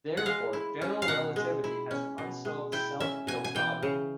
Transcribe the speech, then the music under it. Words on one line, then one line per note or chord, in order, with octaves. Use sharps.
Therefore, general relativity has an unsolved self-field problem.
F#5
G#3 F5
E4
C#4
F5
B2 F#5
G#3
E4
C#4
B2
G#3
E4 G5
C#4 E5
B2 G#5
G#5
E3 G5
C#3